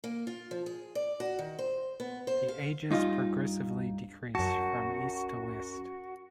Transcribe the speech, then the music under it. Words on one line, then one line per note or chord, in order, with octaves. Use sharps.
The ages progressively decrease from east to west.
A#3
F4
F3
G#4
D5
F#4
D#3
C5
B3
C5
F5
G2 D#4 F4
F#2 F#4 A5